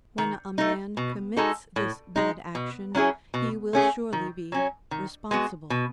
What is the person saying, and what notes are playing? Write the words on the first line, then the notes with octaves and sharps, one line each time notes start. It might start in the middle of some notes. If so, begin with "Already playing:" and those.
When a man commits this bad action, he will surely be responsible.
D#3
A3 D#4
B2
G#3 D#4 F#4 A4
A2
G#3 D#4
B2
F#3 C#4 E4 G#4
B2
A3 C#4 G#4
D#3
F#3 C#4
D#3
G#3 B3 F#4
B2